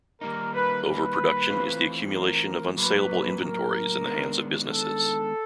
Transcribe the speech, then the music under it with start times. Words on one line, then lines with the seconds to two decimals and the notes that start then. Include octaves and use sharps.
Overproduction is the accumulation of unsalable inventories in the hands of businesses.
0.21 D#3 G3 A#3 D#4 A#4
0.54 B4
0.85 B4
1.49 E3 A3 C4 F4
2.13 A#4
2.77 A2 F#3 A#3 B4
3.40 A#4
4.05 D#3 G#3 B3 D4
4.68 A4